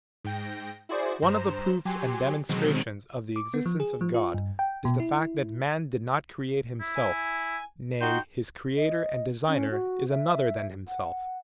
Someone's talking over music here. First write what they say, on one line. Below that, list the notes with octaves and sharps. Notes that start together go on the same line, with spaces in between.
One of the proofs and demonstrations of the existence of God is the fact that man did not create himself: nay, his creator and designer is another than himself.
G#2 G5 A#6
E4 F#4 G#4 C5 D5
G2 C5 A#5 E7
F#3 G4 G#5 C6
B2 D3 D#3 F#3 G#3 C4
D6
B3
F3
G#4
F3
F4
G2
G5
B2
E4
E4
G#5
D#4 F#4 G5 C6
D#5
C#4
F#4
E5
F#5